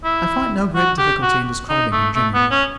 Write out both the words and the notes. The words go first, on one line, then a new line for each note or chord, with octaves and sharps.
I find no great difficulty in describing him, generally.
E4
F#4
G4
F#4
D#4
A3
A3
B3
C#4